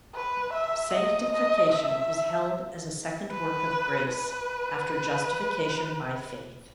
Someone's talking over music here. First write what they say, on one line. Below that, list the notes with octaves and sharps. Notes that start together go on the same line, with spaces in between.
Sanctification is held as a second work of grace after justification by faith.
B4
E5
D#5
D#5
E5
B4
B4